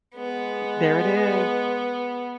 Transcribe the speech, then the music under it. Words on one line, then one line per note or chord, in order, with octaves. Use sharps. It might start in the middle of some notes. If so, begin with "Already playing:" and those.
There it is.
G#3 B3